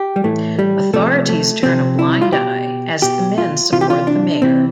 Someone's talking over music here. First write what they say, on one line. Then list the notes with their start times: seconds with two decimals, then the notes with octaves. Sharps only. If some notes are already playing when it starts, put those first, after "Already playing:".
Authorities turn a blind eye as the men support the mayor.
Already playing: G4
0.16 G3
0.24 A2 E3 A3
0.59 G3
0.93 C3 F3 A3
1.29 A3
1.63 C3 F3 C4
1.99 E4
2.21 F4
2.32 B2 G4
3.02 B2 G4
3.38 F4
3.72 C3 E3 F4
3.81 G4
3.90 F4
4.07 D4
4.42 C3 E3 C4